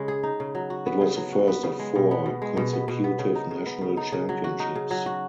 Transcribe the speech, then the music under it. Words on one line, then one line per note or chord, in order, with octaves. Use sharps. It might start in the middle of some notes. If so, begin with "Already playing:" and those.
It was the first of four consecutive national championships.
Already playing: C#3 G#3
G#4
D#4
C#3
F#3
F#4
B3
C#3
F#3
F#4
B3
C#3
G#3
B2
B3
B2
G#3
B2
B3
B2
B3
C#3
D#4
C#3
B3
C#3
D#4
C#3
F#3
F#4
D#4
C#3
F#3
F#4